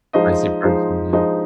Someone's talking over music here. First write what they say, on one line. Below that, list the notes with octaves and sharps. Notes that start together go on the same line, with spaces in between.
spicy person. Yeah.
F3 G#3 D#4 C5 D#5
F3 G#3 D#4 C5 D#5
F3 G#3 D#4 C5 D#5